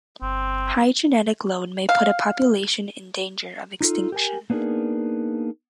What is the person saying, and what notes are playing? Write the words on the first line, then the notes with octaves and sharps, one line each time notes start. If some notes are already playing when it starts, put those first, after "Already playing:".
High genetic load may put a population in danger of extinction.
G1 C4
F5
D#4 F4 A4
G4 A#4 G#5
A#3 B3 D4 D#4 G#4 A#4